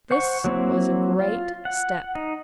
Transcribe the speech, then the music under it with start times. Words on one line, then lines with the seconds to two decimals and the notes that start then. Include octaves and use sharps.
This was a great step.
0.11 C5 F#5 C#6
0.44 F#3 A#3 C4 E4
1.20 F4
1.65 F#5
2.15 D#4